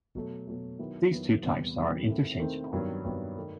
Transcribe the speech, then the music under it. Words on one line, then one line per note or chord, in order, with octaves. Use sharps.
These two types are interchangeable.
B2 F#3 A3
B2 F#3 A3
D#3 F#3 B3 E4
D#3 F#3 B3 E4
E2 C3 D#3 G3 B3
E2 C3 D#3 G3 B3
D#3 A3 C4 E4
D#3 A3 C4 E4
G2 D#3 F#3 B3
G2 D#3 F#3 B3
D#3 A3